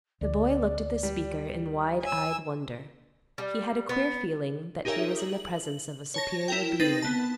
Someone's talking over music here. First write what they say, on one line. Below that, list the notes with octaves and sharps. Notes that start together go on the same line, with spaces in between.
The boy looked at the speaker in wide-eyed wonder; he had a queer feeling that he was in the presence of a superior being.
D2 D5
G3
C#5 G#5 E6
G3
B3
D#4 G4 G#4 A#4 C#5 E5
F#7
C#5 A5 A#6
E4 A#4 G5
C4 D#4 B4 A6 A#6
B3 A5